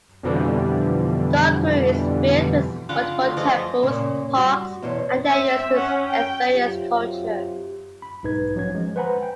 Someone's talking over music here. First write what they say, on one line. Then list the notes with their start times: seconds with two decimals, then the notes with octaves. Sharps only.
Thung Khru is filled with multiple temples, parks and areas to experience culture.
0.23 F2 B2 D3 E3 G3
2.89 C#3 D4 F4 F#5 B5 D6
3.22 D3 F#3 A3
3.37 E3 F3 A3 G#4 D5 D#5 D6
3.83 A#2 C#3
4.35 G3 F#4
4.82 E2 B2 C5 C#5
5.26 C4 E5
5.72 C#4 F#5
6.08 G5
6.53 C3 F#3 F4 G4
8.02 B5
8.23 B1 G#2 D#4 B4 G#6
8.56 F3 F#3 C#4 G#6
8.75 F3 G#3
8.96 B4 C5 F#5 G#5 A#5 B5
9.23 G5